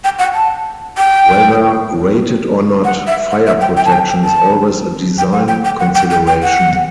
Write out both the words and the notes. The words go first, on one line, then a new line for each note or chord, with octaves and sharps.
Whether rated or not, fire protection is always a design consideration.
G5
F#5
A5
G5
F#5
E5
F#5
E5
G5
G5
A5
G5
G5
A5
G5
F#5
G5
G5
F#5
G5
G5
G5
F#5